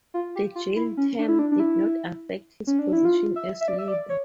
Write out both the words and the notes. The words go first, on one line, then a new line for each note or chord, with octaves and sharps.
The jail term did not affect his position as leader.
F4
G4
F4
E4
C#4
D4
E4
D4
D4
E4
C#4
D4
E4
F4
E5
E5
D5
E5
D5
C#5